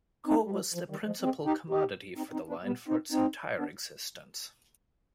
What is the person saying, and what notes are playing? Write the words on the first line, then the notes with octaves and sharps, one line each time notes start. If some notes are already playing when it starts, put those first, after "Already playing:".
Coal was the principle commodity for the line for its entire existence.
C4 D#4
G3
F3 G#3
F3
D#3 G3
F3 G#3
G#3 C4
D#4 G4
D#4 G4
C4 D#4
C4 D#4
B3 D4
G3 B3
C4 D#4
C4 D#4
B3 D4